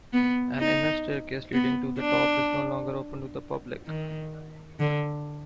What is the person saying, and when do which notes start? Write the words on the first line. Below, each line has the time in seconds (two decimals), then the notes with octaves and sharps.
An inner staircase leading to the top is no longer open to the public.
0.13 B3
0.60 D#4
1.53 B3
2.00 D4
3.87 D#3
4.79 D3